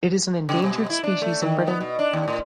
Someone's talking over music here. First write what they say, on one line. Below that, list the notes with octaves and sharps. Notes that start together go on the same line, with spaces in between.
It is an endangered species in Britain.
C#3
B2
E4
D4
A3
D#3
B3
B2
D4
D#2
A2